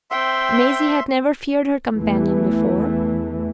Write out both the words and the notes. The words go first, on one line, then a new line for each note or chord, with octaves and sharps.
Maisie had never feared her companion before.
C4 E5 G5 C6
E2 E3 A3